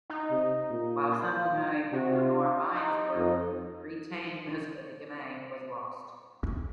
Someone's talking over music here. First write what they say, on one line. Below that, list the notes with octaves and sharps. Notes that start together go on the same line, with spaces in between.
While some Pinot noir vines were retained most of the Gamay was lost.
D#4
C3
A#2
F4
C3 F#4
F4
D#4
F2